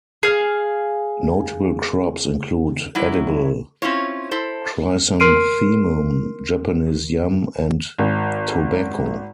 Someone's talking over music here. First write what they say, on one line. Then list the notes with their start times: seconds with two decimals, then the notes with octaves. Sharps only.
Notable crops include edible chrysanthemum, Japanese yam and tobacco.
0.23 G#4 F5
2.95 F#3 G3 E4
3.82 C4 C#4 E4 F4 C#5
4.31 E4 A4 C5
5.20 A#4 C6 F6 C7 D7 D#7
7.98 G#1